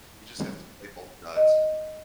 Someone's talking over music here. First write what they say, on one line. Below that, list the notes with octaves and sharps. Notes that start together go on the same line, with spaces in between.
you just have to play both sides.
D#5